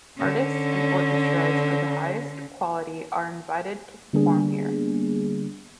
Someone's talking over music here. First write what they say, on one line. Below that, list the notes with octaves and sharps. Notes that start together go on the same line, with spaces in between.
Artists and orchestras of the highest quality are invited to perform here.
D3 C#4
D3 G3 A#3 B3 D4 G#4